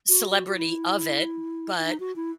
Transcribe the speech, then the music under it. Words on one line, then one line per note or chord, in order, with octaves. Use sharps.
celebrity of it. But,
F#4
F#4
E4
E4
D#4
F#4
E4